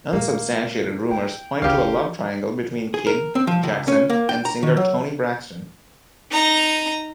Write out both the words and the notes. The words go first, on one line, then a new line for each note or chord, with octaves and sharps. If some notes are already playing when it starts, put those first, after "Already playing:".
Unsubstantiated rumors point to a love triangle between Kidd, Jackson, and singer Toni Braxton.
A#2 G#3 A#3
E4 G5
F1 C#2 C#3 G4 F5
G#4
A#4
C4
F3
C#2
C#4
A#3
G5
A#5
D#3
F#3
D#4 A#5